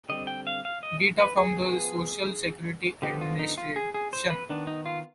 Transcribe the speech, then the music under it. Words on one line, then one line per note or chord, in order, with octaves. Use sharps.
Data from the Social Security Administration.
D3 G3 C4 D#5
G5
F5
F5
D#5
B4
G#4
F3 B3
D3 F3 B3 G4
F4
D#4
F4
G#4
G#4
C5
B4
D#3 B3 D4
D#4
F4